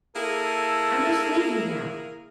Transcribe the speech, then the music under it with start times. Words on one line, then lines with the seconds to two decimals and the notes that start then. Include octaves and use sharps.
I must leave you now.
0.16 A#3 E4 G#4 A4